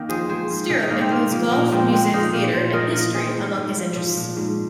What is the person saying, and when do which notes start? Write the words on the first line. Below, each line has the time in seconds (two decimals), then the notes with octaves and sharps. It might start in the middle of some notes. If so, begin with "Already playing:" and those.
Stirrup includes golf, music, theatre and history among his interests.
Already playing: D#3 A#3 D#4
0.09 F3 G#4 C5
0.29 F3 G#4 C5
0.50 G#2
0.70 D#3 D#4 G#4
0.90 G#2 A#3 D#4
1.01 C4
1.11 G#2 A#3
1.31 F3 A#3
1.51 A#2 A#3
1.71 F3 G#3 C4
1.92 F3 G#3 C4
2.12 F3 A#3 D#4
2.33 A#2 A#3 D#4
2.53 A#2 G#4 C5
2.73 A#2 A#4 D#5
2.94 F3 A#4 D#5
3.14 D#3 G#4 C5
3.35 G#2
3.55 G#2
3.76 F3
3.96 F3
4.17 A#2
4.37 G#2